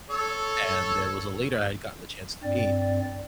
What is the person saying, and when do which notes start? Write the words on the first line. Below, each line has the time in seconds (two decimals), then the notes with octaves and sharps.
and there was a leader I had gotten the chance to meet,
0.10 A4 C#5
2.43 G2 C4 D5